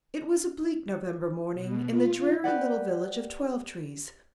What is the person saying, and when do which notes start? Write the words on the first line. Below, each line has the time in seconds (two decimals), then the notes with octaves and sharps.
It was a bleak November morning in the dreary little village of Twelve-trees.
1.54 B2
1.89 F4
2.44 G4 B4 D5 F#5